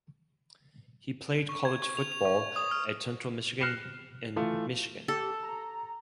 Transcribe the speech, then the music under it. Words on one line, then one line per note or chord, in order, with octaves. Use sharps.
He played college football at Central Michigan and Michigan.
C#6
G#6
C#6
F7
F7
C#6
D#6
F6
F6 F#6 A#6 C7 C#7 E7
E3 A3 F4
G4 A4
A#5